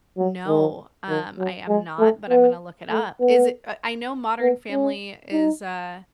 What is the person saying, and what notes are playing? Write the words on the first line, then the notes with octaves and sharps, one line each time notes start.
No, um, I am not, but I'm gonna look it up. Is it, uh I know Modern Family is a
F#3
D#3
D#3
F#3
G#3
A3
B3
A3
B3
B3
C#4
D#4